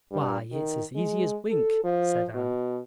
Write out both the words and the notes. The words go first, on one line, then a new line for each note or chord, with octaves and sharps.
"Why, it's as easy as wink," said Anne.
G2
D#3
G#3
A4
F3
B2